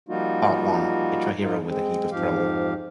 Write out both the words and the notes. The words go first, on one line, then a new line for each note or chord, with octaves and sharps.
Part one, hit your hero with a heap of trouble.
F3 G3 A#3 D#4 F4 F#4
G#2 D#4 F4
G#3 C4
F2 G#2 F3 G4 F5